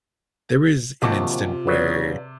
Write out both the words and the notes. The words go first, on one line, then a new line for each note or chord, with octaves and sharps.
there is an instant where
A#1 D#2 C3 F4 F#4 A5 D6
C#3 F#3 B4 D5